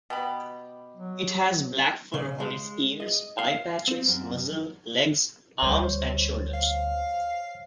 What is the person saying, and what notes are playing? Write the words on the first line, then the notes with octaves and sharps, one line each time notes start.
It has black fur on its ears, eye patches, muzzle, legs, arms and shoulders.
B2 G4 B5
F#3
C#3
G#3
D#5
F5
C4
F#2
D2 G3 C5 C#5
F5